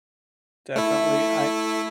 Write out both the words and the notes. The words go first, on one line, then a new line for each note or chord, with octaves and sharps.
Definitely. I
A3 E4